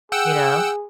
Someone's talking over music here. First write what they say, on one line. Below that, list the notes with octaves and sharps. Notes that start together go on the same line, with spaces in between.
you know?
G#4 F#5 G5 E6